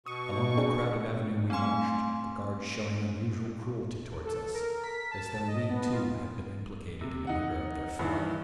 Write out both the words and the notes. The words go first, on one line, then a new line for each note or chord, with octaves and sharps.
Along the crowded avenue we marched, the guards showing unusual cruelty toward us, as though we, too, had been implicated in the murder of their fellow.
B2 C#6 D#6 D#7
C4 D4 G#4
A3 C4 F5 G#5 C6
A4
A#4
B6
A5
D#5
B3
F4
C3
D#4 F#5
G2 D#3 E3